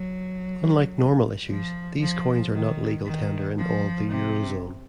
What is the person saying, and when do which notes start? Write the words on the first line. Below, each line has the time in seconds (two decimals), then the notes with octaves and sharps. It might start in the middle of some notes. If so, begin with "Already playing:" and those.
Unlike normal issues, these coins are not legal tender in all the eurozone.
Already playing: F#3
1.49 F3
2.01 F3
2.53 D#3
3.05 D#3
3.58 F3
4.09 C3